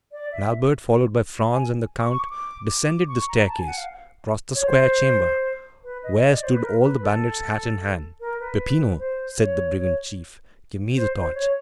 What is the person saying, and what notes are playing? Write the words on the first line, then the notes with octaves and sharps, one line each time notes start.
And Albert, followed by Franz and the count, descended the staircase, crossed the square chamber, where stood all the bandits, hat in hand. "Peppino," said the brigand chief, "give me the torch."
D5
E5
G#5
C#6
C#6
D6
D6
D6
C#6
A#5
A5
G#5
F#5
F5
C#5
C5
B4
D#5
D#5
D5
C5
B4
A#4
B4
A4
A#4
B4
C5
C#5
C#5
C5
C5
C#5